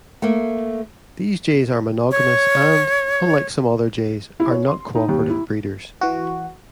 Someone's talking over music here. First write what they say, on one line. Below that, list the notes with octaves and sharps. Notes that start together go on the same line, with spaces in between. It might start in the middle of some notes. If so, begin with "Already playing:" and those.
These jays are monogamous and, unlike some other jays, are not cooperative breeders.
A3 A#3
C#5
E4
C#5
C6
D#4
D#2
E4
E3 F#4